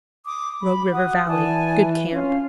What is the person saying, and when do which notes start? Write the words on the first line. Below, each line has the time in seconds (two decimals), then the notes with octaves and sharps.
Rogue River Valley.--Good camp.
0.24 D6 D#6
0.61 B5 D6
0.91 F#4 D#6
1.27 E3 D5 G#5 A5
2.12 C#4 F4